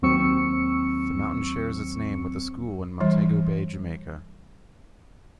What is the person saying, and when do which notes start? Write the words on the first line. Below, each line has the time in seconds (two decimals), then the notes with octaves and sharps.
The Mountain shares its name with a school in Montego Bay, Jamaica.
0.02 D#2 F#3 C4 C#6 E6 C#7
3.00 E3 G3